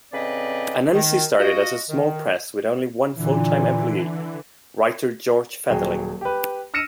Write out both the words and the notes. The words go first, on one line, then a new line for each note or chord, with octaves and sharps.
Anansi started as a small press with only one full-time employee, writer George Fetherling.
A2 C#3 C4 B4 D5 D#5
D#3
F4 F#4 D#5
D#3
A#2 D3 E3
D#1 F#3 G#4 G5
G4 B4
E6 F6 A#6 C#7 D#7 E7